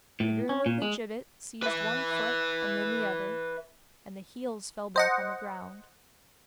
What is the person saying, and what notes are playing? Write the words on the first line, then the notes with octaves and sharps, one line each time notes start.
The groom of the gibbet seized one foot and then the other, and the heels fell back on the ground.
A2
C#4
A#2
G#3
B4 E5
C5 D#5 F#5